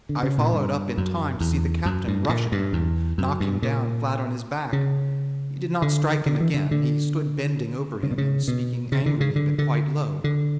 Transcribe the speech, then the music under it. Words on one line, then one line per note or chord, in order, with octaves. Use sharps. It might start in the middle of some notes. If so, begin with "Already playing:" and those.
I followed up in time to see the captain rush at him and knock him down flat on his back. He did not strike him again: he stood bending over him and speaking angrily but quite low.
D3
C#3
A#2
G2
F#2
E2
F#2
G2
A#2
G2
E2
F#2
G2
A#2
C#3
D3
D3
E3
D3
D3
C#3
B2
C#3
B2
C#3
D3
C#3
D3
D3
D3